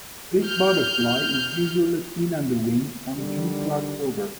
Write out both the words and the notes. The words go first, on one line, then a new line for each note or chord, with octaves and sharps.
This butterfly is usually seen on the wing from June to October.
F6 G6
D3 D#3 G3